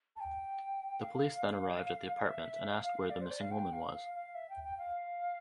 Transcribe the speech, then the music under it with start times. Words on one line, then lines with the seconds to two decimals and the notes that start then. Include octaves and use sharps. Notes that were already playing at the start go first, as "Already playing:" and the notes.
The police then arrived at the apartment and asked where the missing woman was.
0.16 A5
0.20 G5
1.01 F5
2.26 E5
2.68 F5
3.10 D5
3.20 C5
3.31 D5
3.40 F5
3.51 G5
3.73 F5
3.94 F5
4.14 F5
4.35 E5
4.50 G5
4.64 G5
4.78 F5